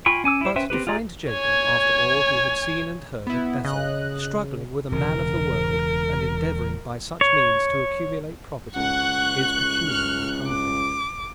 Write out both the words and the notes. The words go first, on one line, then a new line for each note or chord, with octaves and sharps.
But to find Jacob, after all he had seen and heard at Bethel, struggling with a man of the world, and endeavoring by such means to accumulate property, is peculiarly humbling.
F4 G5 G#5 B5 C#6
C#4 G#5 D6 E6
E4 C5
C#4 B4 C5 E5 G5
C4 E4 G4 B4
F4 G4 G#4 D5 A#5
C#5 G#5
B3 E4
C#3 D#5 F#6
E1 C#3 A#4
C#5
C#2 F#5 C#6 F#6
F6
D6